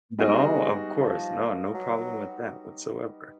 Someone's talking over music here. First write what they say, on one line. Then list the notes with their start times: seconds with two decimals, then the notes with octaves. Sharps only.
No, of course. No, no problem with that whatsoever,
0.19 G3 G#3 B3 D#4 F#4
0.97 F3
1.75 F#3